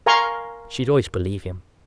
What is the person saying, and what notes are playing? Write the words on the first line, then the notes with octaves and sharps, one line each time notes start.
She'd always believe him.
A#4 F5 G#5 A#5 C6 C#6